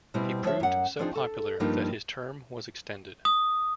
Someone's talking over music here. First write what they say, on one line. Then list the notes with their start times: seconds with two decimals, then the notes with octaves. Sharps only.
He proved so popular that his term was extended.
0.14 B2 G3 C4 E4
0.44 F3 C#5 E5
0.60 F#2 F#5
0.99 F3 C4 D4 D#4 G#4
1.16 A4
1.60 G2 F3 G3 A#3 D4 D#4
3.25 D#6